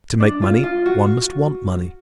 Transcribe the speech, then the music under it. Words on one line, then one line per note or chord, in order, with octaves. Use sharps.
To make money one must want money.
D4
F4
F4
F#4